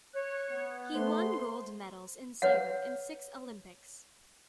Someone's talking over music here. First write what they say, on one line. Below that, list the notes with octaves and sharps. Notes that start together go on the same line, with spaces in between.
He won gold medals in sabre in six Olympics.
C#5 F#6
B3
A3 C5 C6
B4 C#5 F#5